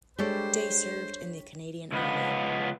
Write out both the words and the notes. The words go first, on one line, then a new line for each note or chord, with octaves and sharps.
Day served in the Canadian Army.
G3 G#3 D4 G4 A4 C5 C#5 B6
C#2 B3